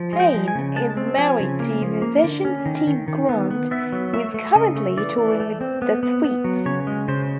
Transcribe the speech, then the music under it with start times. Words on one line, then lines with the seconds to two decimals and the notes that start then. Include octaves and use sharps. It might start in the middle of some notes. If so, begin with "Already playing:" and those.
Payne is married to musician Steve Grant who is currently touring with The Sweet.
Already playing: F3
0.13 G#3
0.20 G5
0.34 F3
0.48 G#5
0.55 C#3
0.76 G#3 A5
0.97 C4
1.18 F3 G#5
1.40 C#3
1.60 A#3
1.82 F3
2.02 A#3
2.24 D3
2.45 C#4
2.66 D#3
2.87 D#3
3.08 D#3
3.29 B3
3.51 B3
3.71 B3 E5
3.92 F#3
4.13 A3 E5
4.34 A3
4.55 C#3 D#5
4.76 A3
4.97 E3 D5
5.18 E3
5.40 A3
5.61 C4
5.82 B3
6.03 B3
6.24 B3
6.44 F#3
6.66 C#3 C#5
6.87 G#3
7.08 C#3 C5